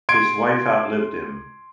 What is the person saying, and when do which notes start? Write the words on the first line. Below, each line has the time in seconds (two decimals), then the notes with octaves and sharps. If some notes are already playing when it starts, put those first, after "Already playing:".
His wife outlived him.
0.09 C6 G#6 D7